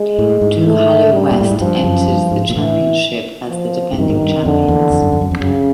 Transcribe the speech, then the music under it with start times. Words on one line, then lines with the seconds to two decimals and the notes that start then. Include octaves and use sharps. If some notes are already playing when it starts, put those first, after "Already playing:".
Duhallow West entered the championship as the defending champions.
Already playing: G#3
0.19 A2
0.41 G#2
0.66 A3
1.12 G3
1.31 A#2
1.41 A2
1.51 G#2
1.60 G2 F3
1.84 F#2
2.08 G2
2.32 G#2
2.50 A#2
2.56 A2 E3
3.50 F3
3.93 G#2
3.98 G2 D#3
4.09 G#2
4.22 G2
4.45 F2 D3
4.68 E2
4.92 F2
5.02 F#2
5.12 F2
5.21 F#2
5.31 F2
5.40 F#2 C#3